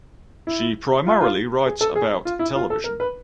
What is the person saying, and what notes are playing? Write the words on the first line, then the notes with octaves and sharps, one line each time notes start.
She primarily writes about television.
E4
F4
F4
G#4
A4
G#4
F4
E4
F4
A4
A#4
B4